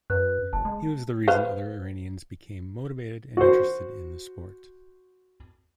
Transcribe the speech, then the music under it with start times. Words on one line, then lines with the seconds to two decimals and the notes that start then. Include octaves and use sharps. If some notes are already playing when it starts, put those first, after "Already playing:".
He was the reason other Iranians became motivated and interested in the sport.
0.10 F#2 B4 F#6
0.53 F#1 A5
0.65 G#3
1.28 B4 C5 F5
3.37 F#4 C5